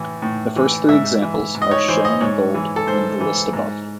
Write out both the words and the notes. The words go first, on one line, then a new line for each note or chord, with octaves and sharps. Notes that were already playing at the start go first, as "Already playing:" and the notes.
The first three examples are shown in bold in the list above.
Already playing: A2 E3
A2
E3
G#2 E5
E3
G#2
D#5
C#5
E3 C5
D#5
G#2 C#5
E3
A4
G#2 C5
E3
G#2